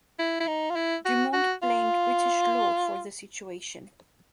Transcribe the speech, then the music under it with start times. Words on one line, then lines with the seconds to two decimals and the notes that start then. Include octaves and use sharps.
Dumont blamed British law for the situation.
0.19 E4
0.40 E4
0.47 D#4
0.70 F4
0.76 E4
1.05 F#4
1.33 F#4
1.62 F4